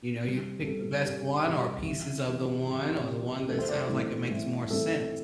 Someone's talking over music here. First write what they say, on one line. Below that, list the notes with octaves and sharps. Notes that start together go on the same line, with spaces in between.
You know, you pick the best one or pieces of the one or, the one that sounds like it makes more sense.
C3 G3 C4
C3 G3 C4 A4
C3 G3 C4 G4
C3 G3 C4 G4
G4
C3 E3 C4 E4
C3 E3 C4 G4
G4
C3 E3 C4 G4
G4
C3 E3 C4
G4
A2 E3 A3 C4 A4
C5
D5
C5
A2 E3 A3 C4
A2 E3 A3 C4
A2 E3 A3 C4 A4